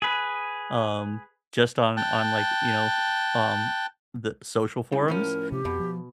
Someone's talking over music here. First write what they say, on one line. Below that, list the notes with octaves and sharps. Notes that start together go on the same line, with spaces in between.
um, just on on, like, you know, um, the social forums,
G#4 B4
G5 A5 F#6
C#3 G3 E4
A2 F3 C#4 A#4
C3 G4
F2 B2
F3